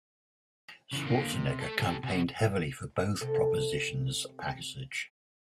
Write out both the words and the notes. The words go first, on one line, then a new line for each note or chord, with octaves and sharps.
Schwarzenegger campaigned heavily for both propositions' passage.
C#3 E3
D3 A#3
C3
A3 A4
G4 A4
C3 F#4
C3 A4